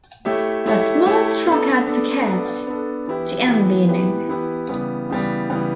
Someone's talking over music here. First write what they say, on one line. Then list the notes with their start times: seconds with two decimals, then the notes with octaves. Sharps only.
But Smoltz struck out Puckett to end the inning.
0.25 A3 E4 G4 C#5 E5
0.66 A3 E4 G4 C#5 E5
1.06 A3 E4 G4 C#5 E5
1.46 B3 D4 A4
1.87 B3 D4 A4
2.27 B3 D4 A4
2.67 B3 D4 A4
3.07 E3 B3 E4 G4 B4
3.48 E3 B3 E4 G4 B4
3.89 E3 B3 E4 G4 B4
4.29 E3 B3 E4 G4 B4
4.69 C#3 E3 G3 B3
5.10 C#3 E3 G3 B3
5.50 C#3 E3 G3 B3